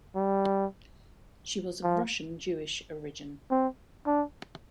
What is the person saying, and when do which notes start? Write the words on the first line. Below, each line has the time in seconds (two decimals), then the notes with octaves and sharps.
She was of Russian Jewish origin.
0.16 G3
1.84 F3
3.51 C4
4.07 D4